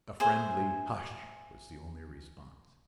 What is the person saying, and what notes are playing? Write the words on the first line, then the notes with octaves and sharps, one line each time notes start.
A friendly "hush!" was the only response.
G#4 C5 E5 G#5